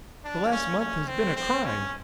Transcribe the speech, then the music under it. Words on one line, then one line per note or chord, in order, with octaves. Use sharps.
The last month has been a crime.
D4
C#4
C#4
C4
C4
C#4